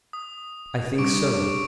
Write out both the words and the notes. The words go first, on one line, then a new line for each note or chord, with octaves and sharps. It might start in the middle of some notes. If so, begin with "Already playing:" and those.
"I think so."
D#6
G2 C#6 D6 D7